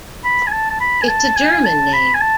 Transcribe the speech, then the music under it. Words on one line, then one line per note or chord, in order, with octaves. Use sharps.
It's a German name.
B5
G#5
A5
A5
B5
G#5
A5
G#5
G#5
A5
B5
G#5
A5